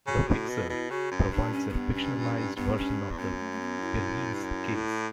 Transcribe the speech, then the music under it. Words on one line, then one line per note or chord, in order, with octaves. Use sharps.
"The Fixer" provides a fictionalized version of the Beilis case.
C#3 F#4
A2
B2
B2 E4
C#3 F#4
F#2
G2 D4
C#4
C#4
B3
C#4
G2 B3
C#4
E2
F#2 B3
A3
A3
B3
E4
G2
F#2
A2